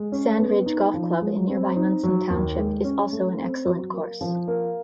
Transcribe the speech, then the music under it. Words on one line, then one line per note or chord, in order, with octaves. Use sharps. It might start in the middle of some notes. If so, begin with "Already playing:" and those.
Sand Ridge Golf Club in nearby Munson Township is also an excellent course.
Already playing: G#3
C#4
B3
D#4
F3
G#3
C4
D#4
F#3
D#2
G#3
C#4
A3
C4
F#3
A#3
F3
A#3